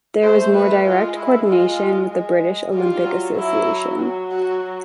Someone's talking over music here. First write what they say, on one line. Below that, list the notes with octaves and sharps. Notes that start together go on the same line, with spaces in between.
There was more direct coordination with the British Olympic Association.
A3 C5
B4
G#3 F4
E4
G#3 F4
G#3
G3 F4
F#3
F#3 E4
F#3
F#4